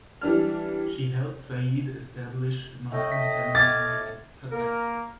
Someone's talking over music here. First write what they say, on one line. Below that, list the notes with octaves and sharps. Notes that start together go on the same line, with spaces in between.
She helped Sayeed establish the Muslim Seminary at Cuttack.
E3 G3 D4 F6
A2 A3 D#5 G5
B6
D6 F6 G#6 A6
A#3 A#4